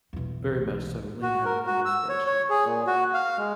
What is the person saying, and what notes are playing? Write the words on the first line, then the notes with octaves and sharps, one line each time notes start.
very much so, we lean heavily on spreadsheets.
B1 E2
F#4
A#4
F#4
E6
C#5
C#5
G#4
A#2
F#4
F5
G#3